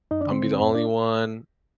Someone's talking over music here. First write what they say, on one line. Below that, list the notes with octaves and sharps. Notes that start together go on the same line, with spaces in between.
I'll be the only one
F#2 D#4 D#5
D4 D5
D3
C4 C5
D3
F#2
D4 D5